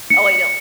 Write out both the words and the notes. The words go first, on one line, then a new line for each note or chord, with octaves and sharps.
Oh, I know.
C#7